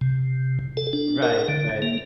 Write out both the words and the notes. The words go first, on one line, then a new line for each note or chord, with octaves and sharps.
Right. Right.
C3
A4
D4
A#4
D3
A#3